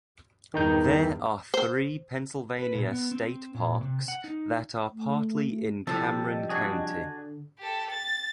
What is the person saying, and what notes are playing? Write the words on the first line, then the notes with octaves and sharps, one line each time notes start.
There are three Pennsylvania state parks that are partly in Cameron County.
E2 G2 D#3 D#4 G6
C5
B4
A#2
B3
C4
A#2
C3
F#5
D#4
A3
C3 F3 G3 E4 A4
D#5
D4 F#4 G#4
D3
G4 A4
A6